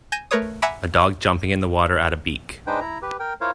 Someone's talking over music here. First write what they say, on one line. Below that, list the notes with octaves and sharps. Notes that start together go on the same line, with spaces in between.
A dog jumping in the water at a beack.
G#5 G6 A#6 D#7 E7
A3 A#4 B4 C#5 D#6
E5 F#5 G#5 A#5 B5 D6
G#3 D4 D#4 B4 C5 G5
E4 A#5
G4 B4
A#4 G5
E4 F4 A#4 C5 C#5 F5